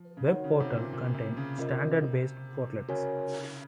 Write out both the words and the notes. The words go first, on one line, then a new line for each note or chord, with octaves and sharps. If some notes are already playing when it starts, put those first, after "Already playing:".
Web Portal contains standard-based portlets.
Already playing: F3
C#3
D#3 F#4 C#5 F#5
C#3
C3
A#2
A#2
C3
C#3
C3 C#4 F4 A#4 D#5
C#3 F#4 A#4 C#5 G#5